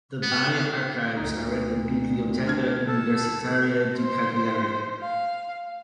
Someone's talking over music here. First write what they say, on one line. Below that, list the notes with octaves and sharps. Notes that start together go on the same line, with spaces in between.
The Baille archives are at the Biblioteca Universitaria di Cagliari.
B3
D2 D#4
D3 F6 G#6
A4 A5
C5
F5